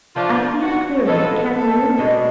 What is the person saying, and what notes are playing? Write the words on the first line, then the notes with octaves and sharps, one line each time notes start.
I see it clearly, can't you?
F3 A3 D4 F4
F#4
A2 G#3 B3 F4 A4
A4
B2 G#3 D4 G#4